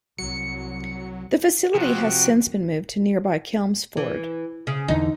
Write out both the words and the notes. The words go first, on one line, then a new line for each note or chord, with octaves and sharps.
The facility has since been moved to nearby Chelmsford.
C2 F#3 C#7
C3 F3 F#4
E3
C#3
E2 D3 E3 D#4